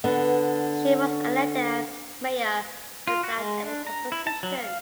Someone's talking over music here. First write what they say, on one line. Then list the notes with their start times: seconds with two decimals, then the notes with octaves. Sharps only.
She was elected as Mayor without any opposition.
0.04 D3 B3
3.07 F4
3.23 F#4
3.38 G#3
3.63 D4
3.87 A#5
4.12 E4
4.27 A5
4.43 F#3
4.58 F5